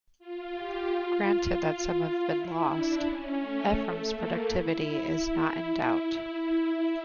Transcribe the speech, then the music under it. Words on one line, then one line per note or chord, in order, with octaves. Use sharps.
Granted that some have been lost, Ephrem's productivity is not in doubt.
F4
G4
F4
F4
F4
E4
D4
C#4
A3
A3
A#3
E4